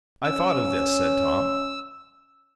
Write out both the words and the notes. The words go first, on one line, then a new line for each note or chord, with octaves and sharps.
"I thought of this," said Tom.
C#4 E6